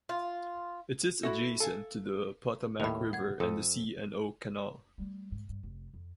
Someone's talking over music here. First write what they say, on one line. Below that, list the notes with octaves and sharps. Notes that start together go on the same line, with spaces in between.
It sits adjacent to the Potomac River and the C and O Canal.
F4
E4 F#4 A4 E5
A4 F5 G#5 A5
D#2 A2 B5 F7
F#5 G#6
F2 A4 D#6
G3 A3
G#2
G2
F1
F2